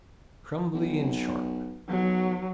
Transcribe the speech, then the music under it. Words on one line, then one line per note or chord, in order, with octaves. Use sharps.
Crumbly and sharp.
B1
B1 F#3